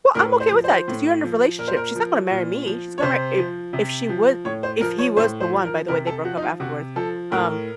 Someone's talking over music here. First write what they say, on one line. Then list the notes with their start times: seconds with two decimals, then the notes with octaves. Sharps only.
Well, I'm okay with that, ‘cause you're in a relationship. She's not gonna marry me. She's gonna marry i if she would, if he was the one- by the way, they broke up afterwards, um
0.15 A2 A#4
0.40 C5
0.52 F3
0.64 C5
0.88 A2
1.24 F3
1.58 A#2 A#4
1.68 C5
1.77 A#4
1.95 F3
2.31 A#2
2.66 F3
2.98 C#5
3.02 C3 C5
3.38 F3
3.73 C3
4.09 F3
4.45 A2 C#5
4.63 C5
4.81 F3 A#4
4.98 C#5
5.17 A2 C5
5.40 C5
5.53 F3
5.65 A#4
5.88 C3 A#4
6.07 A4
6.24 F3 F#4
6.37 D#4
6.42 F4
6.60 C3 F#4
6.96 F3 A4
7.32 A2 A#4